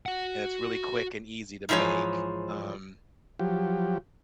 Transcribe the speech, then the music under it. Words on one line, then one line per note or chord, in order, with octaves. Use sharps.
and it's really quick and easy to make. Um,
F#4 F#5
G#2 E3 F3 G#4 C#5
F3 F#3 G4